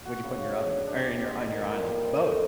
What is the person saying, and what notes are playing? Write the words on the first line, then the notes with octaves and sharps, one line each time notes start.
What'd you put in your oven or in your on your island? Both,
F#4
C#3
C#5
D4
D4
G4
G#3
D#3
A#2
G3
C5
A3